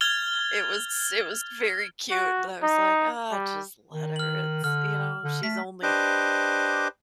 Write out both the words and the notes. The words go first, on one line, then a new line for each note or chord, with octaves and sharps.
it was it was very cute, but I was like, "Ah, just let her," it's, you know, she's only
F6 G#6 A6 F7 G7
F#4
D#4
G3
D#3
F6 F#7
D3 F6
D3
A3 B6
D4 G4 B4 C5 D#5 D6